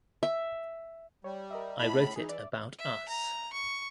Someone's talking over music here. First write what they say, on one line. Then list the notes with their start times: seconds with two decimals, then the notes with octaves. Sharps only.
I wrote it about us.
0.23 E5
1.24 G3 C#5
1.51 A#4 D#5 E5
1.79 A2 D#5 A5 B5
2.16 E3 D#4 G#4
2.29 D5 E5
2.78 E5
3.09 A#5
3.53 C#6